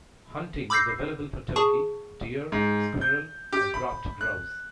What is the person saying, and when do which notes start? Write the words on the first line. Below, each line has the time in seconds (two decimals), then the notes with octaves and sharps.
Hunting is available for turkey, deer, squirrel, and ruffed grouse.
0.70 B5 D6 E6 G6 A#6 C7
1.56 G#4 A5 C#6
2.52 G#2
3.01 G6
3.53 G4
3.74 B5
4.21 F#6